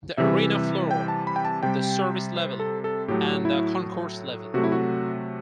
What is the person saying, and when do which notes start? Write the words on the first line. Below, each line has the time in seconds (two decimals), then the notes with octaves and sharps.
The arena floor, the service level and the concourse level.
0.17 C3 E3 G3 E5
0.91 G5
1.08 A5
1.27 B5
1.36 G5
1.45 A5
1.63 C3 G3 G5
2.36 C5
2.59 A4
2.84 A4
3.08 A2 F#3 A3 G4
3.45 E4
4.54 C3 F#3 A3 F#4
4.64 E4
4.72 F#4